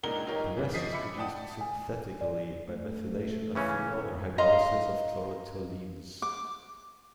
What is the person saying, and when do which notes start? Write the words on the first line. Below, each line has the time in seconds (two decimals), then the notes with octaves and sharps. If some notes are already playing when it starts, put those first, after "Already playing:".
The rest is produced synthetically, by methylation of phenol or hydrolysis of chlorotoluenes.
0.03 C#2 A#2 D4 D#4 A#4 G7
0.27 D#4 F4 G4 A#4 C#5
0.57 E3 G3 D4
0.74 F3 D#5 D#6 B6 C7
0.93 E5 B5 D6 C#7
1.17 D5 F#5 G5 A5 D#6
1.61 G#5
2.21 D5
2.68 A3
3.55 C#3 E3 C#4
4.38 D#5 F5 A#5 C6
6.22 D6